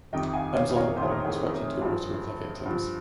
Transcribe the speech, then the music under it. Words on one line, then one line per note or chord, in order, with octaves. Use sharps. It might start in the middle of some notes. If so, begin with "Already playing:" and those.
Homes along the pond were swept into the water with their victims.
F2 C3 D#3 D#5 G5
F5 G#5
C#5 F5
A#4 C#5
F2 C3 D#3 C5
A#4
G#4 C5
G2 F3
G2 F3